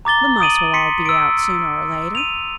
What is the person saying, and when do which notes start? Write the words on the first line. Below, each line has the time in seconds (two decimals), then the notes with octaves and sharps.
The Mice will all be out sooner or later.
0.05 A#5 D6 A6 G7
0.40 D#6 D7 D#7 F#7
0.73 C6 B6 C#7
1.06 E6 D7
2.15 D#7 F7